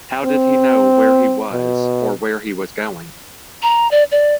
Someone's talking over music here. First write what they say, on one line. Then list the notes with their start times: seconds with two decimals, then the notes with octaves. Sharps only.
How did he know where he was or where he was going?
0.25 C4
1.53 B2
3.63 A#5
3.91 D5
4.11 D5